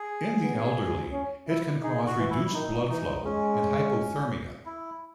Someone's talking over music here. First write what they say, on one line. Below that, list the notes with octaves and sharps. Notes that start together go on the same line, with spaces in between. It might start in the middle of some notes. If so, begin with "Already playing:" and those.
In the elderly, it can cause reduced blood flow and hypothermia.
Already playing: G#4
B3
C#4
E4
D#4 G#4
F#4
E3
E4
D#3 D#4
E3 D#4
G#3 C#4
E4